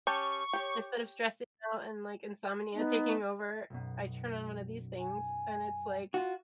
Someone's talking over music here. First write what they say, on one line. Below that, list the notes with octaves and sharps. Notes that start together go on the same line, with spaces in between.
Instead of stressing out and, like, insomnia taking over, I turn on one of these things, and it's like
C#4 G4 A5 C#6
G4 C#5
B3 D#4
B1 F#2 B2
G#5
F4 F#4